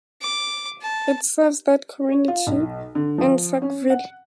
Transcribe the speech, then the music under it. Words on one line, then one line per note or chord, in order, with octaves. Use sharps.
It serves that community and Saukville.
D6
A5
C#5
F4
B1
D3
F3
C#4
F#5